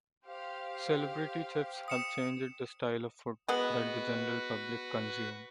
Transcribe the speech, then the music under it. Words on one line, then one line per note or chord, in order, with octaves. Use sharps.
Celebrity chefs have changed the style of food that the general public consume.
G4 C5 F5
D#6 C#7 E7
G#3 B3 F#4 B4